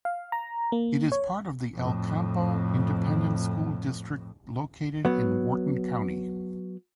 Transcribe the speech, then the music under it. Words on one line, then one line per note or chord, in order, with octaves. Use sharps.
It is part of the El Campo Independent School District located in Wharton County.
F5
A#5
A#3
C#5
F2 A2
F#3 B3